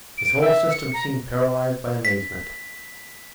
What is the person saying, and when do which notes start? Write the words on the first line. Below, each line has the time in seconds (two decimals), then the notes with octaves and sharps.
His whole system seemed paralyzed by amazement.
0.18 D7
0.41 E5
0.71 C#7
0.93 A#5
2.05 B6